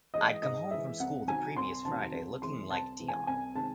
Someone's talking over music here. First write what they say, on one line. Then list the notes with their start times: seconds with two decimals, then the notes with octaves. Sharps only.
I'd come home from school the previous Friday looking like Dion.
0.14 E3 G#3 D#5
0.42 G#2 D#5
0.71 E3 G#3 E5
1.00 C2 F#5
1.28 C3 D#3 F#3 G#5
1.56 C2 C6
1.85 C3 D#3 F#3 A5
2.13 C2
2.42 C3 E3 G#3 C6
2.70 C2 A5
2.99 C3 E3 G#3
3.08 G#5
3.27 C2 G#5
3.55 C3 D#3 G#3 A5